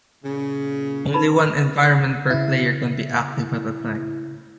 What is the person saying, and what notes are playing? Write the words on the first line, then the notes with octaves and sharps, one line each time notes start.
Only one environment per player can be active at a time.
A#2 C#3
D#4 B4 B5
C#3 E4